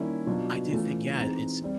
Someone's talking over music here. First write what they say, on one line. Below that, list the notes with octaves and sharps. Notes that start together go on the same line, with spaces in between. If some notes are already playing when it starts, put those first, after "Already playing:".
I do think yeah, it's
Already playing: D#3 G3 A#3 C#4 E4
B2 F#3 B3 D4 F4
E3 A3 C#4 F4
E3 G#3 C4 D#4
G3 C4